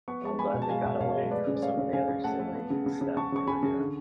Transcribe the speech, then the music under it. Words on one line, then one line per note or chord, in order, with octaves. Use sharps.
So I'm glad they got away from some of the other silly stuff they were doing.
B3 C#6
G#3 A5 C#6
B3 G#5 B5
B2
A5
G#3 F5 G#5
B2
B2 C#5 F5
G#3
A3 B4 D5
C#3
D5
A3 C#5 F5
C#3
C#3 F5 G#5
C#3
A3 F#5 A5
A3
B3
C#3
C#3
C#3
C#3 A5 C#6
C#3 C#6
C#3 G#5 B5
C#3
D3